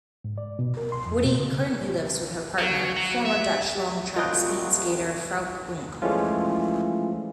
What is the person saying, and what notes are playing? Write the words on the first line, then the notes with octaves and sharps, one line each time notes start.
Witty currently lives with her partner, former Dutch long track speed skater Frouke Oonk.
G#2
D5
B2
A#4
C6
F2
B2
C#3
F#3
F#3
E5
C2 F#3 A3 F4 D#5 G5 F#6
E3 F3 G#3 A3 C#4 F4